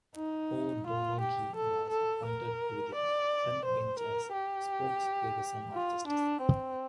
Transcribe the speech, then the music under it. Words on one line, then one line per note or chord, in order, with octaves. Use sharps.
O'Donoghue was appointed to the front bench as spokesperson on Justice.
D#4
F4
G4
A4
A4
A#4
D5
C5
A#4
G4
F4
D4
C4